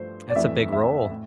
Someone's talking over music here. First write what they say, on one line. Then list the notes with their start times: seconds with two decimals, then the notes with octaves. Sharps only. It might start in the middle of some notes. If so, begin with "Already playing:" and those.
That's a big role.
Already playing: G2 F3 A3 C5
0.30 D5
0.35 F2 E3 A3 E5
0.72 E5
1.10 A2